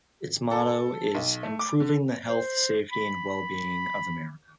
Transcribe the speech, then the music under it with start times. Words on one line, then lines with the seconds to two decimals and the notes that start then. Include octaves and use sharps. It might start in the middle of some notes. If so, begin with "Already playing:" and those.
Its motto is "Improving the health, safety, and well-being of America".
0.51 A4
1.15 B1
1.43 A3
1.59 D6
1.80 D3
2.28 C5
2.91 B5